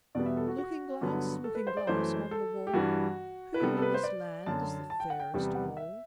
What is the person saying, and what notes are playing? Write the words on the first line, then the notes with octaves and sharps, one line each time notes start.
"Looking-glass, Looking-glass, on the wall, Who in this land is the fairest of all?"
E2 B2 G3 B3 D5
E5
A4
F#4
F#4
G2 D3 F#3 B3
A4
B4
C5
D5
F#2 E3 A3 C5
A4
G4
G2 E3 G3 F#4
B4
C3 G3 B3 A4
A4
B4
C5
D5
F#2 D3 F#3 A5
A5
G5
F#5
G5
E2 C3 G3 B3 G5
F#5
E5